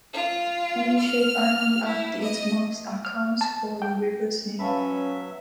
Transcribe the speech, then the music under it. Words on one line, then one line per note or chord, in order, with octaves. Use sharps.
A wing-shaped island at its mouth accounts for the river's name.
F4
F6
E4
D#5
F6
A5
G5
F#3 C#4 B4 E5 F5 A5 B5